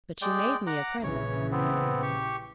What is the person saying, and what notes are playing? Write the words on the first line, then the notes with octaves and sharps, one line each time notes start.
But she made me a present.'
G#3 D5 G5
F#5 A#5 D6
A#1 C#3 E3 C#5
B3 C4
G4 C#6